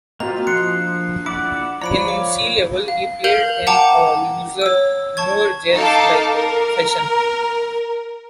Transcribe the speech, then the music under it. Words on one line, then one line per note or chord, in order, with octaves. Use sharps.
In Sea Level he played in a looser, more jazz-like fashion.
A#3 C4 F4 F#4 D#5 A#5
A#1 F3 C6 F#6 C#7
E4 D5 F#5 D6
F3 C#5 D5 A#5 B5 D6 D7
F5 D6
F5
A#4 F5 G6 F7 F#7
F#5 G5 A5 A#5 D6
C#5 E6
A5 C#6 G#6
D#4 A4 F5 A5 D6
A#4